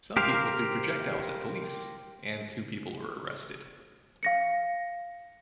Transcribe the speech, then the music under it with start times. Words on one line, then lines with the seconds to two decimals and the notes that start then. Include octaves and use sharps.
Some people threw projectiles at police and two people were arrested.
0.17 G4 A#4 C5 F5
4.23 F5 A#6 C#7